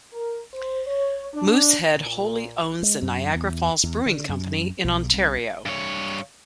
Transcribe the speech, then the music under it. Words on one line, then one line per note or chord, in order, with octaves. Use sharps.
Moosehead wholly owns the Niagara Falls Brewing Company in Ontario.
A#4
C5
C#5
D4
A#2
G#3
F#2
E2
E2
D3
F#2
B1
C2
G2 C#5